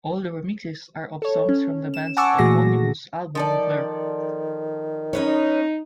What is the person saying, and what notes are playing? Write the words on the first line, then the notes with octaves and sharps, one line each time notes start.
All the remixes are of songs from the band's eponymous album, "Blur".
A4 C#5
C#4
E7
F#5 G#5 A5 C#6 D6 E6
A#2 E3 A3 F#4 G#4 A#6
D#3 F3 A4 D5
C#4 D#4 B4 C#5